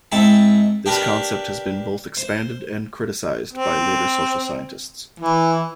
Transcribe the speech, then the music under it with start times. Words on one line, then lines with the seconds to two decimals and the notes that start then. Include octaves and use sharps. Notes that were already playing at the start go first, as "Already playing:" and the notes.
This concept has been both expanded and criticized by later social scientists.
0.12 G#2 C4 E4 A5
0.86 D4 G4 A#4 B4
2.17 C5
3.53 C4
5.20 E3